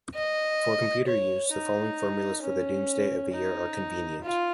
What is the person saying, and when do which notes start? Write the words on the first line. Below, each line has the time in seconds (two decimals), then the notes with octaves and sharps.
For computer use, the following formulas for the doomsday of a year are convenient.
0.15 D#5
1.07 C#5
1.52 D#4
2.43 C#4
3.33 D#4
4.24 F4